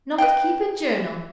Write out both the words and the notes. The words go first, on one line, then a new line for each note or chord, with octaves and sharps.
Not keep a journal!
B4 D#5 F5 G5